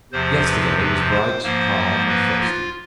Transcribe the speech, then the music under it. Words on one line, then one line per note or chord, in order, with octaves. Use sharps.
Yesterday was bright, calm, and frosty.
E2 C3 F3 C5
B4
B4
C5
G#2 F3 A#3 C5
B4
F4